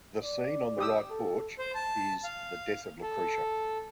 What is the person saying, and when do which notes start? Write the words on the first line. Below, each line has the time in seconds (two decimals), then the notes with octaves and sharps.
The scene on the right porch is the death of Lucretia.
0.23 D5
0.78 G4 D#6 E6
1.10 A4
1.59 C5
1.75 A5
2.24 F5
3.02 A4